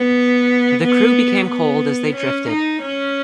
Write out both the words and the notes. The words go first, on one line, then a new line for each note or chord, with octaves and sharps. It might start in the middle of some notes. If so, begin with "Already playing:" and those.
The crew became cold as they drifted.
Already playing: B3
B3
B3
C#4
D#4
C#4